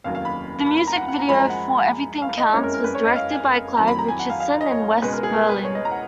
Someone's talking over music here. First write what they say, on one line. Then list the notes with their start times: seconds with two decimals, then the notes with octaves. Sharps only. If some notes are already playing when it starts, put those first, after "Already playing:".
The music video for "Everything Counts" was directed by Clive Richardson in West Berlin.
0.04 F1 D#2 C#3 F#3 F5
0.15 F5
0.25 B5
0.66 B5
0.77 B5
0.87 A#5
0.97 F#5
1.08 F#5
1.19 A#5
1.29 F#2 F3 G#3 B5
1.39 A#5
1.50 F#5
2.22 F5
2.38 D#5
2.53 F#1 F2 C#3 G#3 C#4 C#5
2.63 A#4
2.74 A#4
2.84 B4
2.95 C#5
3.05 D#5
3.16 F5
3.31 G#5
3.77 F2 D#3 F#3 A#5
3.88 B5
3.99 A#5
4.08 G#5
4.19 F#5
4.30 F5
4.40 F5
4.61 D#5
4.71 C#5
5.02 C#2 B2 G#3 B4
5.13 A#4
5.23 G#4
5.33 A#4
5.49 B4
5.64 C#5
5.75 D#5
5.85 A#5
5.91 F#5